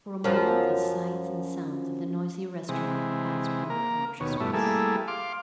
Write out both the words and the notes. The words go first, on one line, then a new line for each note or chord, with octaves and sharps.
For a moment the sights and sounds of the noisy restaurant passed from her consciousness.
F#2 F3
C3 E3 G#3
A#3 A#4
D#2 B2 C#5
G2 B2 A3 E4
G3 A3 A#3 E4 G#4 A4
F5 C6 D6